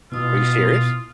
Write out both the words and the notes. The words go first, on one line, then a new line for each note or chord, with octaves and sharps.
Are you serious?
B2 E4 F4 D#6